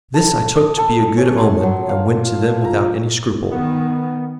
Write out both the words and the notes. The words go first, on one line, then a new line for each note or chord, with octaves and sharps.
This I took to be a good omen, and went to them without any scruple.
A4
D#5
A4
C#4
C6
F#3
F5
F4
A#5
D#3 B3